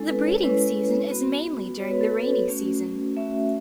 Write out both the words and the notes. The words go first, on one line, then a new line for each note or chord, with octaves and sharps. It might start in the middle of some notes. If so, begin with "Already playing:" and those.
The breeding season is mainly during the rainy season.
Already playing: G#3 C#4 E4 A4
B4
C#5
G#3 C#4 E4 B4
B3 F#4
B3 F#4 C#5
B4
A4
B4
A3 C#4 F#4
A3 C#4 F#4 E5